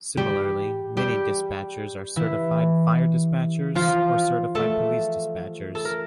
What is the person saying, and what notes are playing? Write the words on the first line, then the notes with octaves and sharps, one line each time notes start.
Similarly, many dispatchers are Certified Fire Dispatchers or Certified Police Dispatchers.
G3 G4
G3 G4
E3 E4
F3 F4
A3 A4
A4
A#4